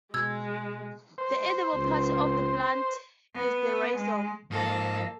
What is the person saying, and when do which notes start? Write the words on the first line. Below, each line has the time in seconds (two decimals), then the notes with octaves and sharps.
The edible part of the plant is the rhizome.
0.14 B2 G#3 E6 G#6
1.18 C5
1.75 C#2
3.35 B3
3.96 G#3
4.51 G#2 F3 A#3 A4 D#5 F5